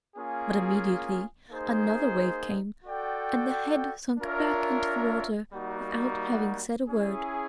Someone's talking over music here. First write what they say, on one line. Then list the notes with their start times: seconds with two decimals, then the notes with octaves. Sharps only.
But immediately another wave came, and the head sank back into the water without having said a word.
0.15 A#3 C#4 F4 G#4
1.49 A#3 D#4 G#4 C5
2.85 F#4 A4 D5 G5
4.18 D4 F4 A#4 C#5 E5
5.53 G3 A#3 D#4 F#4
6.88 C#4 E4 G#4